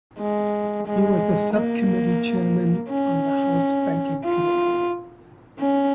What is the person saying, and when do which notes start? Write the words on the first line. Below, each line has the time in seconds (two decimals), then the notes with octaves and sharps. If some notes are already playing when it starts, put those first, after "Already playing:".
He was a subcommittee chairman on the House Banking Committee.
0.19 G#3
0.87 G#3
1.54 A#3
2.90 C#4
4.25 F4
5.60 C#4